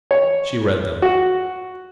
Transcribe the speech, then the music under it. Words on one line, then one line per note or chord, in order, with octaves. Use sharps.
She read them.
C#5
F#4